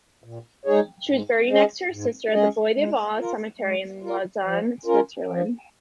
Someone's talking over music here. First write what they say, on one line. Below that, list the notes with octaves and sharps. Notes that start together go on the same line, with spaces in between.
She was buried next to her sister at the Bois-de-Vaux cemetery in Lausanne, Switzerland.
A#2
G#3 D#4 G#4 C#5
G#2
G#3 C#4 G#4 D#5
G#2
G#3 C#4 G#4 D#5
G#3
F4 A#4
G#3
F4 A#4
F3
C#4 F4 A#4
F3